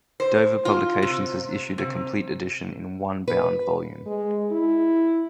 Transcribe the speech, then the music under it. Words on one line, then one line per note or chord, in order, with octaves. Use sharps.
Dover Publications has issued a complete edition in one bound volume.
C5
F4
C3
C3
B4
G#3
E4